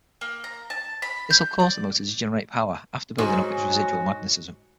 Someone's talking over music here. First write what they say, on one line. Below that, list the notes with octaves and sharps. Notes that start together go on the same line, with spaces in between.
This will cause the motor to generate power after building up its residual magnetism.
A#3
A#5
A5
B5
G6
D5
G#2 C#4 F#4